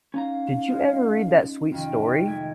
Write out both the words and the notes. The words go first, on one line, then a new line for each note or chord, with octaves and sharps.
Did you ever read that sweet story?
C#4 D#4 F5 A#5
G#3 F4
F2 C3 D#3 G5
G#3 A3 G#6